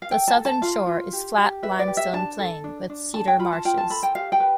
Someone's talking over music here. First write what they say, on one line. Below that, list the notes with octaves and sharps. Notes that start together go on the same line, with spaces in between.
The southern shore is flat limestone plain, with cedar marshes.
F5
A4 G5
A5
A4
A5
F4 F5
F4
G4
G4
B4 E5
D5
G4
E5
D4 A5
A4
D4
D4
A4 A5
G5
F4 B5
A5
F4 G5
A5
A4 B5
G5
G4 F5
G5
B4